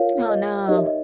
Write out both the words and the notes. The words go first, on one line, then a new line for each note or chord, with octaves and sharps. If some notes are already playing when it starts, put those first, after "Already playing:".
Oh no.
Already playing: F4 A#4 C#5 F5
D#5
D#4 G4 A#4 C#5 D#5
E5
D#5